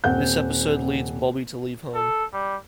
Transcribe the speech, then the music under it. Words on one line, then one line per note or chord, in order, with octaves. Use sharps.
This episode leads Bobby to leave home.
D#1 C4 F#5 G6
A4
G3